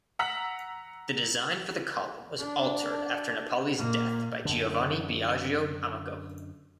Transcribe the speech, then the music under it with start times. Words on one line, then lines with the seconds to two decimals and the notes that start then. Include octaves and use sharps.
The design for the column was altered after Napoli's death by Giovanni Biagio Amico.
0.19 F#5 A#5 E6 B6 F#7
2.39 D4
3.76 A#2 A#3
4.45 F#2 D3